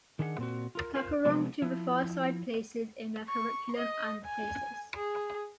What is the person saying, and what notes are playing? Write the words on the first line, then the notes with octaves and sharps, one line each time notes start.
Tacurong to the far side places in their curriculums and places.
D#3 D4 G#4 E5 F#5
A#2 C4 F#4
F4 A#4
F4 A#4 C5 F5
C3 F3 F#3 G#3 B3 C4
F3 E4
C#6
D#5
G#5
G#4